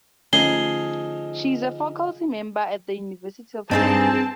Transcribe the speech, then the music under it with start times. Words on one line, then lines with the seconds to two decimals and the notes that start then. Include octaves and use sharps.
She is a faculty member at the University of Kansas.
0.33 D3 F3 A3 C#4 D#4 G#4 C7 G7
3.71 G2 C4 D#4 E4 G#4 A5